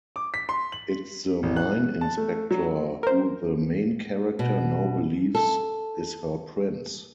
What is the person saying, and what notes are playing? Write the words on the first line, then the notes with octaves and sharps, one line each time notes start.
It's the mine inspector who the main character now believes is her prince.
D6
B6
C6
F#7
A1
F#6
A5
A3
F#3
A#4 C5
B2
A4